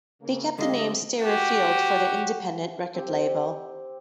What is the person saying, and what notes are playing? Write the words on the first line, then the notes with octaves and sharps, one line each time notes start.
They kept the name Stereo Field for their independent record label.
C#3 A#3
D3 G#3 C4 G4 D#5 F5
F#4 G4
C4 G4